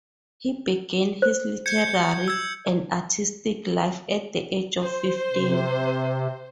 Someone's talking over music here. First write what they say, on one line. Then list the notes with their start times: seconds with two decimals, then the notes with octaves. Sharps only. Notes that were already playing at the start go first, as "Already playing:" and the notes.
He began his literary and artistic life at the age of fifteen.
1.22 C5
1.66 G6 G#6 C#7
2.28 E6 G#6
4.80 C5
5.32 C3